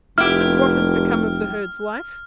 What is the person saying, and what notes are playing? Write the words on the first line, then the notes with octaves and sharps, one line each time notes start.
"And what has become of the herd's wife?"
F1 E4 G4 F6